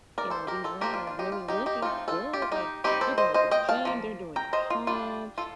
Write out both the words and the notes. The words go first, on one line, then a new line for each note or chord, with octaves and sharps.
you know, these women are really looking good. Like, they're going to the gym, they're doing it at home.
A#4 D5
A4 C5
G4 A#4
F4 A4
F3 A#3 D4 G4 A#4
F4
F4
D#4 G4
F4
D#4 G4
D#4 G4
A3 C4 D#4 F4
F4 A4
G4
F4
D#4 G4
D#3 G3 C4 D#4 G4
A4 C5
C5 D#5
C5 D#5
D#5 G5
F5 A5
F3 A#3
G5 A#5
C5 D#5
F4
G3 D4 F4
F4 A4